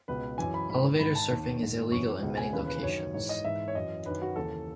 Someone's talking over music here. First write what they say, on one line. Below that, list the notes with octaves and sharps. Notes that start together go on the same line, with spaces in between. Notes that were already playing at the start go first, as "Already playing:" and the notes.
Elevator surfing is illegal in many locations.
C#2 B2 B4
F#2 E3 G#5
B5
G#2 E3 B5
G#2 D#3 B5
A5
D#2 D#3
G#2 D#3
F#2 E3 C#6
C#2 B2
G#5
D#2 C#3 E3 B4
B4
F#2 D#3 C#5
G#2 E3 C#5
D#5
G#2 E3 E5
C#5
F#2 E3 D#5
F#2 D#3 B4
F#4
D#2 C#3 E3 A4